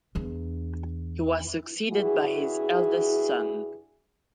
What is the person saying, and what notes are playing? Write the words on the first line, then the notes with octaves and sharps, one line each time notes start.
He was succeeded by his eldest son.
E2 D4
G2 E4 F#4 G#4